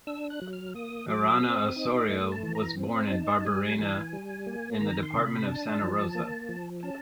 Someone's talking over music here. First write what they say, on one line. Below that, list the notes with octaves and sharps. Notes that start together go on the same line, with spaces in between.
Arana Osorio was born in Barberena, in the department of Santa Rosa.
D4 E6
F#6
F#3
F6
A#3 D#6
F#3 D6
C4 D#6
D#6
D#4
D6
A3
A5
E3
A#5
C4
A#5
D#4 A5
A5
G3 G#5
E3 G#5
G3
A#3
D#3 A#5
C6
C3
B5
D4 A5
F3
A#3
F3
C#4 A5